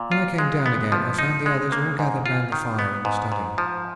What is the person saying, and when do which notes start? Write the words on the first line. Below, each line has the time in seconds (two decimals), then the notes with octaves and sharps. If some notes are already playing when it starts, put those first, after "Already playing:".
When I came down again I found the others all gathered round the fire in the study.
Already playing: A#2
0.12 F4
0.38 G#3
0.66 B3
0.92 F3
1.19 D#4
1.46 G#3
1.72 A#3
1.99 G#2
2.26 F4
2.52 D#3
2.79 B3
3.05 G#2
3.32 G#2
3.58 F3